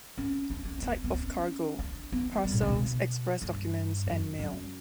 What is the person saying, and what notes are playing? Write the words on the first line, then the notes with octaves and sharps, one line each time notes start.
Type of cargo: parcels, express documents and mail.
C#4
D4
C#4
C#4
B3
B3
C#4
D4
B3
G3
A#2
C#3
B2
G2
F#2
F#2